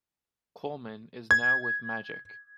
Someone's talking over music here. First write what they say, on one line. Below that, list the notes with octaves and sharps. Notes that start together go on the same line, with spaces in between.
Colman is now with Magic.
G#6